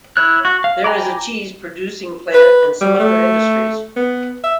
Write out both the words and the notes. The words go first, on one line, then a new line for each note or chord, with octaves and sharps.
There is a cheese producing plant and some other industries.
E4 C#5 F#6
F#4
F5
G5 G#5 A#5 B5 D6
B4
G3
A3
B3
E5